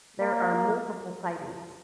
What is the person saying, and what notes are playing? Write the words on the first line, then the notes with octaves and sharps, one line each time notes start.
There were multiple sightings.
A#3